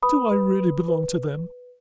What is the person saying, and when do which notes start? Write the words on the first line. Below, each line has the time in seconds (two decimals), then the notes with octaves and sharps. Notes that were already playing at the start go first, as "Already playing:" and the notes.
Do I really belong to them?
0.03 B4 B5 D#6
0.31 B4
0.59 B4
0.88 B4
1.16 B4